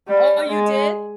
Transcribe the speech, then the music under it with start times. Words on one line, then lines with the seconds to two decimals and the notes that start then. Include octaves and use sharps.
Oh, you did?
0.08 G3
0.49 G#3